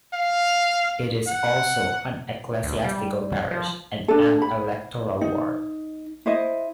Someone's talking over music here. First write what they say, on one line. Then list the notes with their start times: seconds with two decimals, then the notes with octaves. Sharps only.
It is also an Ecclesiastical parish and an electoral ward.
0.14 F5
1.28 F#5
2.63 D2
2.84 G3
3.51 F3
4.08 D4 A4
4.42 B5
5.21 D#4
6.26 E4 C5 D#5